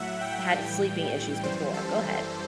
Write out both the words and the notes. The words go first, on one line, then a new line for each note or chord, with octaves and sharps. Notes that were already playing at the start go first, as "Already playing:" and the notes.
had sleeping issues before. Go ahead.
Already playing: A2 F#3 E5 F#5
G5
A2 E3 G3
F#2 E3 G3 C5
A4